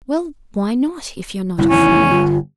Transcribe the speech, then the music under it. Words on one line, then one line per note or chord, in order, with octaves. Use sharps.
"Well, why not, if you're not afraid?"
G1 C2 F2 E4
F1 E2 D#3 C#4
G1 F4